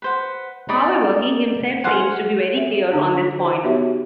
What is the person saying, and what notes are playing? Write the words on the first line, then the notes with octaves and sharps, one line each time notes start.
However, he himself seems to be very clear on this point.
B4 C5 F#5
D#4 D5 B5 D#6
C5 F5 F#5 G#5
C4 E5
D3 D4 D#4
C5
B3 D#4 F#4 G4 C#5 E5